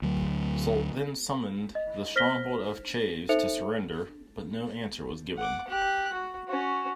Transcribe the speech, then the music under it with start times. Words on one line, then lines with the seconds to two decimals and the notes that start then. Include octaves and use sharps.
Soult then summoned the stronghold of Chaves to surrender, but no answer was given.
0.02 D2 F#3
1.75 D#5
2.16 C5 F6 A#6 B6 G7
3.29 D#4 A4 C5 E5 C#7 F7
5.37 F#5 D6
5.68 G4 F#6
6.13 F#4
6.48 C#4 F#4